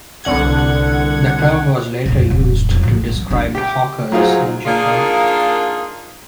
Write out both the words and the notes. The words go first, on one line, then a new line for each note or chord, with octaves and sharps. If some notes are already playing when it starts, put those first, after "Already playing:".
The term was later used to describe hawkers in general.
C2 D3 F#5 G#6
A#1 F2
D#1 F#2
F2
A1 A2
F#2
D4
G4 G5
F#3 D#4 F4 G#4 C5
A#3 D4 D#4 F4 G#4 A#4